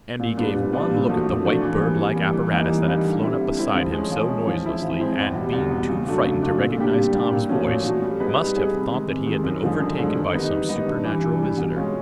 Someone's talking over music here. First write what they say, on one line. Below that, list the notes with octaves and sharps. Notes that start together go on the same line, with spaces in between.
Andy gave one look at the white bird-like apparatus that had flown up beside him so noiselessly, and, being too frightened to recognize Tom's voice, must have thought that he had been overtaken by some supernatural visitor.
A#2
G3 B3 D4 F4
A#2
G3 B3 D4 F4
A#2
F3 A3 D4 F#4
A#2
F3 A3 D4 F#4
E3
G3 A#3
E3
G3 A#3
E3
G3 A#3 D#4
E3
G3 A#3 D#4
D3
G3 C4 E4
D3
G3 C4 E4
F3
G#3 C#4
F3
G#3 C#4
F3
G#3 C4 E4
F3
G#3 C4 E4
E2
B2 G3
E2
B2 G3
C#3
F#3 A3 D4 F4
C#3
F#3 A3 D4 F4
A#2
G3 A#3 D4 G4
A#2
G3 A#3 D4 G4
A#2
F3 A3 C#4 F#4
A#2
F3 A3 C#4 F#4
G3
B3 D#4 G#4 B4
G3
B3 D#4 G#4 B4
C3
D#3 G#3
C3
D#3 G#3
F#2
D3 F3 G#3
F#2
D3 F3 G#3
D#3
G3 B3 D#4
D#3
G3 B3 D#4
G2
E3 G3
G2
E3 G3
B2
G#3 C#4 F4